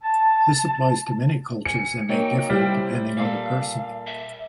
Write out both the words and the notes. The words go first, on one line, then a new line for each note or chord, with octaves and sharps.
This applies to many cultures and may differ depending on the person.
A5
G#5 C#7
F#3 A#3 D#4 G5
C3 G3 C4 E4
A#2 A4 F5
E5